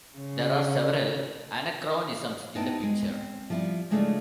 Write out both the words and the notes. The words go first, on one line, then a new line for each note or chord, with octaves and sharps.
There are several anachronisms in the picture.
C#3
B3 D#4 E4 B4 G5 A5
G#3
C4
F3 G3 E4
C#3 G#3 A3 D4 E4 F4